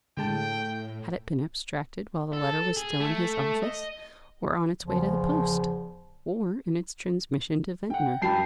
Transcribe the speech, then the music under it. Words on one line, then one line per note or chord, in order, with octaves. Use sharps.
Had it been abstracted while the letter was still in his office?--or on its way to the post?--or in its transmission to Ventnor?
A2 D3 G#3 G5 A5
A4
G#4
A3
D#5
E2 C#3 E3 F3
F#5 G5
F#2 F#3 G5 A5 B5 C7